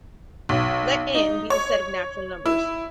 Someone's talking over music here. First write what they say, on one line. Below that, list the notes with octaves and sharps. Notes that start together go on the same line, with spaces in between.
Let N be the set of natural numbers.
B1
D#4
C#5
E4